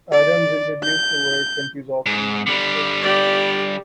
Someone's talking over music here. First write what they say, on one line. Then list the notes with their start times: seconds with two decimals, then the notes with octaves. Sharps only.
Adams introduced the word "confusopoly" in this book.
0.12 D5
0.83 G6
2.06 G#2
2.47 D3 G3
3.02 G4 D5